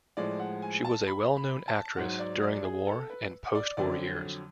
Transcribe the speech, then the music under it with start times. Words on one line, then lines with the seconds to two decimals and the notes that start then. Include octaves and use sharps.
She was a well-known actress during the war and post-war years.
0.17 A2 F3 G#3 D5
0.40 F#5
0.62 G#5
0.85 A5
1.07 B5
1.37 B5
1.68 A5
1.97 G#2 F#3 F#5
2.19 D5
2.42 D5
2.65 G#4
2.87 A4
3.10 B4
3.55 D5
3.77 F2 D3 F#3 D5